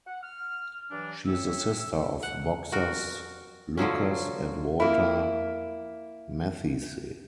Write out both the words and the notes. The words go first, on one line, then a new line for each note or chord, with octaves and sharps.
She is the sister of boxers Lucas and Walter Matthysse.
F#5
F6
G2 E3 F#3 D4
A2 C4 C#5 E5 E6
F#5
F#4 A#4
D3 F3 F#3 C#4
A#3 E4